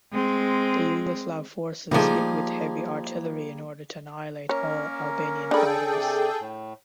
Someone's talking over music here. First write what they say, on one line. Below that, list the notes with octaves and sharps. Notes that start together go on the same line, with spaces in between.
The Yugoslav forces hit with heavy artillery in order to annihilate all Albanian fighters.
G#3 C4
A#2 C#3 F3 G3 A3 A#3 D#4 G#4
A#3 C#4 A#4 C#5
D4 G#4 A4 G5 B5
C3 D5
A2